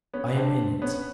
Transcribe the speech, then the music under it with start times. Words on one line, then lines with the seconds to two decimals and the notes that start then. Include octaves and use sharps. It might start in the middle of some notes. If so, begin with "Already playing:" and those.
I am in it.
0.13 B3 C#4
0.36 C4 D4
0.82 B3 C#4